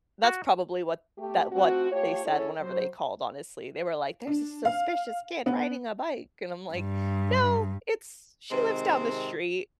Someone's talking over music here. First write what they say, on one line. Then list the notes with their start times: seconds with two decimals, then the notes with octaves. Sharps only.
That's probably what that what they said whenever they called, honestly, they were like, "There's a suspicious kid riding a bike," and I'm like, "No, it's she lives down the street,
0.24 F#4
1.18 A3 G4
1.52 A3 C4 F4 F#4
1.91 A3 F4 G4 C#5
2.25 C#4 E4 G#4 A4 C#5
2.60 F#3 C5
4.27 D4
4.65 F5
5.46 B3
6.73 G2
8.50 C3 D#3 G#3 C4